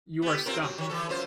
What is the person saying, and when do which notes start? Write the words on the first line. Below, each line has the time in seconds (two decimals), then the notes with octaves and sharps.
You are stumped.
0.22 B3 G4
0.46 C4 F4 A#4
0.62 F#3
0.78 D#3 F#3
0.89 E3 A4
1.09 F#2 F4 C5